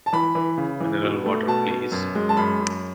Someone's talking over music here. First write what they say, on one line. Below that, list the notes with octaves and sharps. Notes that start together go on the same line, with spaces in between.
Mineral water please!
A5
E3 B5
E3
C#3
E3
B2
A3
B2 A5
B2
F#2
G#3
A5
F#2 B5
F#2